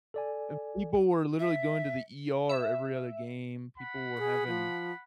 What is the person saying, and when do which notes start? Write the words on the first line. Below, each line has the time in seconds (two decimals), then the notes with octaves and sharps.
and people were literally going to the ER every other game, people were having
0.14 A4 D5 G#5
1.39 E5
2.49 E5
3.78 F#5 B5
4.18 G#4
4.48 F3